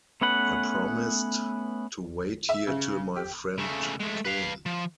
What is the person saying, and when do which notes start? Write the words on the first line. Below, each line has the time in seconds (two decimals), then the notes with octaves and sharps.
I promised to wait here till my friend came.
0.21 A3 B3 C#4 B4 F#5
2.49 E5
2.67 C#3
3.16 G4
3.58 C#3 A3
4.00 G#3 A3
4.25 B4 F5
4.66 F3